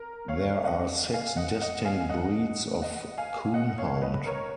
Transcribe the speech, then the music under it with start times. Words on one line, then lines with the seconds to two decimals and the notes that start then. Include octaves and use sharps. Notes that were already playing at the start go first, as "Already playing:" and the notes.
There are six distinct breeds of coonhound.
Already playing: A#4
0.28 C#5 F5
0.65 D#5 F#5
1.13 F5 G#5
1.37 D#5 F#5
1.61 D#5 F#5
1.85 F5 G#5
2.09 D#5 F#5
2.82 D#5 F#5
3.18 F5 G#5
3.54 D#5 F#5
3.78 C#5 F5
4.02 B4 D#5
4.26 A#4 C#5